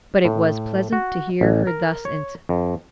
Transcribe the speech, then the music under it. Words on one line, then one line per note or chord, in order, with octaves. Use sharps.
But it was pleasant to hear her thus answer.
A2
F#4
A1
A#4
C#5
F2